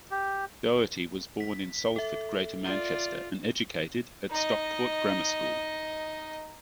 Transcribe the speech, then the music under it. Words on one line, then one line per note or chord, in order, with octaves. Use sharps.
Dougherty was born in Salford, Greater Manchester and educated at Stockport Grammar School.
G4
B6
A4 E5
F4 D5
D#4 D#5